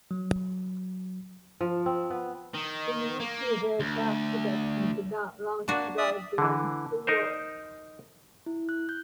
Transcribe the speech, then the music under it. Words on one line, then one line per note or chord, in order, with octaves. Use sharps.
The Ministry of Aircraft Production did not long survive the end of the war.
F#3
F3
C4
B3
D#3
A#3
D2
A#3 D4 F#4
D5 E5 D#6
D3 E3
D#4 A#4 C5
E4
F#6
G6